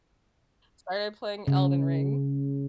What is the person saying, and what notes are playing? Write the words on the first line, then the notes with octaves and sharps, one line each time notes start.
Started playing Elden Ring,
C#3